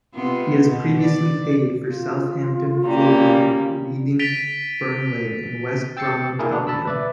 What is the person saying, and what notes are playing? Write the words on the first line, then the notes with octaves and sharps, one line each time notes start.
He has previously played for Southampton, Fulham, Reading, Burnley and West Bromwich Albion.
C3 B3 F4
B2
D5
F4
C#3 G3 A#3
A6 B6 D7 D#7 F7 G7
G5 E6 A6 C7 C#7
A#3 D4 E4 G#4 A#4
D3 D4
A5 B5 E6
B4 D5 E5